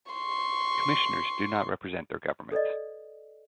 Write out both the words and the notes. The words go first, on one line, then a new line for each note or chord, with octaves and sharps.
Commissioners do not represent their governments.
C6 C#6
A4 B4 D5 D#5